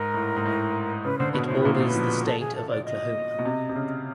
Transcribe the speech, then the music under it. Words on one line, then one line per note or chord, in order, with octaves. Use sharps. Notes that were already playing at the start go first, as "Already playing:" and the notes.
It borders the state of Oklahoma.
Already playing: G#2 A#4
A2
G#2
A2
C#3 B4
D3 C5
B2 B4
A2 C5
B4
A#2
C5
B2
B4
F3
A4
G#4
A4
D5
D#5
B2
C3
C3
C#3